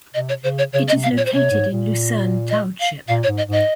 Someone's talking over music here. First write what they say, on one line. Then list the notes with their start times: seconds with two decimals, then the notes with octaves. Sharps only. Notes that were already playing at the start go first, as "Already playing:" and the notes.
It is located in Luzerne Township.
0.14 C3 D#5
0.29 C#5
0.43 C#3 C5
0.58 C#5
0.73 C#3 C#5
0.88 D#5
0.93 C3
1.03 F5
1.12 A#2
1.17 C#5
1.25 C5
1.33 C3 C#5
1.51 G#2
1.71 A#2
2.50 D#5
2.80 F5
3.08 A#2 F5
3.23 C#5
3.28 G#2
3.37 D#5
3.48 G#2 D#5